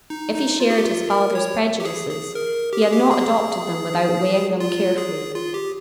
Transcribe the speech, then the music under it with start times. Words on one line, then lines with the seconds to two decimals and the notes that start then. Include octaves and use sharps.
If he shared his father's prejudices, he had not adopted them without weighing them carefully.
0.10 D#4
0.35 D#4
0.60 F4
0.70 G#4
0.78 G4
0.85 F4
1.10 A#4
1.35 C#5
1.80 G4
1.85 G#4
2.10 G#4
2.35 A#4
2.73 G4
2.82 G#4
2.93 G4
3.11 G#4
4.60 F4
4.98 G#4
5.35 F4
5.54 G4